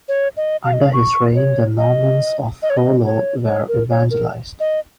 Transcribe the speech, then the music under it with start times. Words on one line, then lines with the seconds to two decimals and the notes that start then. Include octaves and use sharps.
Under his reign the Normans of Rollo were evangelized.
0.08 C#5
0.37 D#5
0.65 F5
0.73 D#5
0.82 F5
0.93 C#6
1.35 C#5
1.78 D#5
2.62 D#5
2.70 C#5
2.77 D#5
3.05 C#5
3.47 C#5
3.68 A#4
3.90 C#5
4.11 A#4
4.60 D#5